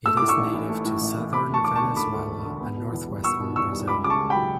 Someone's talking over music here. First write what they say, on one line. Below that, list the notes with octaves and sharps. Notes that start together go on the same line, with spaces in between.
It is native to southern Venezuela and northwestern Brazil.
A3 E6
A2 D6
C#6 E6
A1
E3
A3
A2
A1
E3
A3 B5 D6
D2 A5 C#6
E1 D6
A5 C#6
D3
A3 B5 D6
D2
E1
D3
B3
B2
E2
G3
B3 C#6 E6
B2
E2 C#6 E6
G3
C#2 B5 D6
C#3 D6
A5 C#6
C#2
G5 B5
F#3